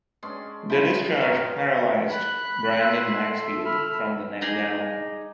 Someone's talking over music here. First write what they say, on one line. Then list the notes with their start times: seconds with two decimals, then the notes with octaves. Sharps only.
The discharge paralyzed Brandon Maxfield from the neck down.
0.23 G#3 C#4 D4 C6
0.70 E4 C5 A5 B5
1.21 G2 D#4 A#4 C#5 F5
2.09 B5 F#6
2.81 E5 C6
3.20 A4
3.65 E5 B5 F6
4.41 D4 D#4 G#4